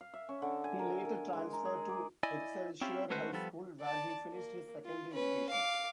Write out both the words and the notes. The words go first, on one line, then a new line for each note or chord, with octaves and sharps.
He later transferred to Excelsior High School, where he finished his secondary education.
F5
E5
C#4
D3
G#5
A#4
A#4
G#3
A#5
G#4
D6
E4 D5 D#5 G#5
C4 C#4 E4 F4 G4
G#3 A3 C#4 F#4 B4 C5
F3 G3 B3 A4
D5 A5
A#3
F4
C#4 B4
F5 D6